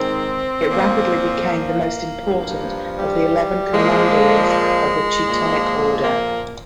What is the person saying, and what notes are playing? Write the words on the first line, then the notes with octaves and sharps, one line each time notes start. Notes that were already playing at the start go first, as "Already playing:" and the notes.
It rapidly became the most important of the eleven commanderies of the Teutonic Order.
Already playing: G#2 D#3 C4
A#2 F3
A#3
G2 F3
G3
A#2 F3 G#3
G#3
A#2 F3
A#3